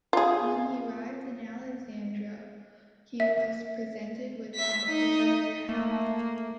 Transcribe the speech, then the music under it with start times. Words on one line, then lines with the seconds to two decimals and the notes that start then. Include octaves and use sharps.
When he arrived in Alexandria, he was presented with Pompey's head.
0.13 F4 G#4
3.20 E5
4.54 E5 B6
4.86 D#4 D#5
5.69 A3 A#3